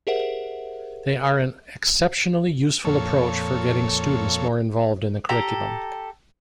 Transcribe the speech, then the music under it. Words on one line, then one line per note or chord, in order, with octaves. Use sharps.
They are an exceptionally useful approach for getting students more involved in the curriculum.
G4 G#4 A#4 C5 E5 F#5
F2 A#2 A4 C#5
G4 A4 A#5